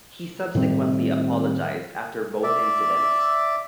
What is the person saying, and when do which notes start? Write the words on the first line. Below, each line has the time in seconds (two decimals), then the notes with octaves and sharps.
He subsequently apologized after both incidents.
0.55 A2 D#3 G3 C4
2.43 D5 E5